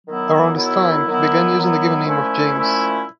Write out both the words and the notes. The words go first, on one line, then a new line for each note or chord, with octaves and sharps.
Around this time, he began using the given name of James.
D#3 F#3 B3 E4
D#3 F#3 B3 E4
D#3 F#3 B3 E4
D#3 F#3 B3 E4
A#2 F3 A3 C#4 E4
A#2 F3 A3 C#4 E4